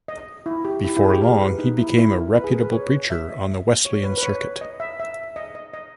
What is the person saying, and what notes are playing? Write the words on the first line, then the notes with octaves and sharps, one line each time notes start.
Before long he became a reputable preacher on the Wesleyan circuit.
D#5
E4
G4
E4
E4
G#4
G4
A#4
B4
D#4
E4
E4
A#4
B4
G#4
A#4
B4
C#5
E5
D#5
C#5
B4
B4
C#5
D#5
E5
E5
D#5
D#5
D#5